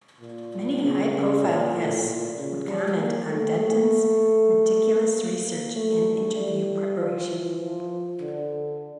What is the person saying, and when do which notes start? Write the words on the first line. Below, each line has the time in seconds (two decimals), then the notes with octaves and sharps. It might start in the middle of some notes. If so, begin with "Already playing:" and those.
Many high-profile guests would comment on Denton's meticulous research in interview preparation.
0.21 A#2
0.82 C#3
1.13 C#3
1.43 A#2
1.75 A2
2.04 A#2
2.36 C#3
2.66 G3
2.97 A#3
3.28 A3
3.59 A3
5.12 A#3
5.75 A3
6.36 G3
6.98 F3
7.28 E3
7.60 F3
8.21 D3